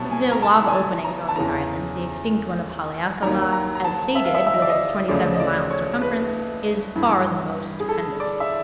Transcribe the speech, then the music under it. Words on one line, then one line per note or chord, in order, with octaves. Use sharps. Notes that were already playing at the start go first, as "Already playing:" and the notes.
Of the lava openings on these islands, the extinct one of Haleakala, as stated, with its twenty-seven miles circumference, is far the most stupendous.
Already playing: C2 B2 F#3 A5
G#5
A#5
A5
G#5
A5
A#5
A5
E2 C#3 E3 A#5
D#2 D#3 F#3 A#5
A#5
A#5
A5
E5
F5
E5
E5
D#5
D5
D#5
D2 C#3 F3 D5
D#5
D5
C#5
B4
G2 E3
G#4
A4
D5
E5